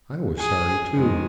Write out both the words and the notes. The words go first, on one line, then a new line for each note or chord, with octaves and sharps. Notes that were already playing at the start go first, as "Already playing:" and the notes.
I was sorry, too.
G#4
F2 D#3 G#3